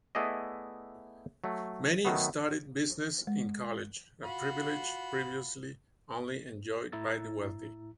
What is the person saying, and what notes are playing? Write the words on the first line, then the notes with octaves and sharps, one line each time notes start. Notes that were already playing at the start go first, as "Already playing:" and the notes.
Many studied business in college, a privilege previously only enjoyed by the wealthy.
A3 B3 E4 G#4 D5 D#5
F#3 A3
D#3 F#3 A3 B3
G#3
F4 F#4 B5
A2 E4 A#5 E6 A6